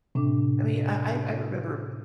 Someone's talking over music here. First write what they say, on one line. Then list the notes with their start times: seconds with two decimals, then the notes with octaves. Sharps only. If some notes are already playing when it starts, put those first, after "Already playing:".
I mean, I I I remember
0.15 A2 C3 D4 D6